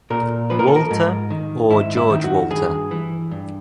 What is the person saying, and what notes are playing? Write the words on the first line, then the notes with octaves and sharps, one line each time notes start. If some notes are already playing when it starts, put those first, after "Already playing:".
Walter' or 'George Walter'.
A#2 A#4
F3 B4
A#4
A4
A#4
G#2
D#3
G#2 E4
E4
D#3
F#4
G2 G#4
E3
G2